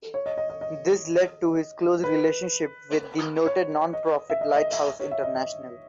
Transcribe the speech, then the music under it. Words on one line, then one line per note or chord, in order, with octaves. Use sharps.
This led to his close relationship with the noted non-profit Lighthouse International.
C#5
D#5
D#5
D#5
D#5
B4
C#5
D#5
E5
D#5
D#5
E5
C#5
E5
D#5
D#5